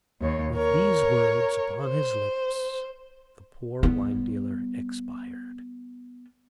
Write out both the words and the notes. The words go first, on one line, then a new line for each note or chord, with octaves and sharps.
With these words upon his lips, the poor wine-dealer expired.
D#2 C#5
A#4 C#5
C5
G3 B3